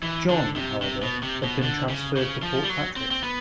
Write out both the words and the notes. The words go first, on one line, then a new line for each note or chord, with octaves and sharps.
John however had been transferred to Portpatrick.
E3
D3
C3
C3
B2
C3
B2
D3
C#3
C#3
F3
G3
F#3
C4
C4
B3